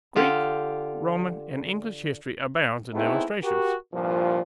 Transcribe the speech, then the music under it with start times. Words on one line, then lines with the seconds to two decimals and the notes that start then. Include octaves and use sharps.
Greek, Roman and English history abounds in illustrations.
0.16 D3 F4 G4
2.93 A3 B3 C4 D#4 E4 G#4
3.43 F#4 G4 A#4
3.93 C2 G2 A#2 F3